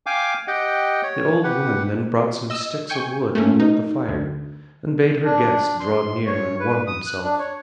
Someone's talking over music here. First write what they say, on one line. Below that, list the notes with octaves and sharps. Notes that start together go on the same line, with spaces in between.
The old woman then brought some sticks of wood and lit the fire, and bade her guest draw near and warm himself.
F5 G5 G#5 D6
G4 D#5 F#5 G5
C#5
G4 B4 F#5
D#5 E6
G5 G#5 C#6 G6
A3 A#3 C#4
D#4
D2
D4
C6
C#5
B4
D#6
F#6
D4
C#5